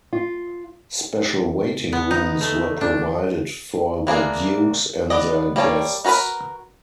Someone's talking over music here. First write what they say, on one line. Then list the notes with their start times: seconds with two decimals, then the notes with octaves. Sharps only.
Special waiting rooms were provided for the dukes and their guests.
0.13 F4
1.93 B3
2.11 D#4
2.41 A3
2.81 D4
4.07 E3 A#3 D4 G#4
5.10 B3 D5 D#5
5.56 G3 A#3 C#5 A5
6.04 D#4 F#4 A#4 B4 B5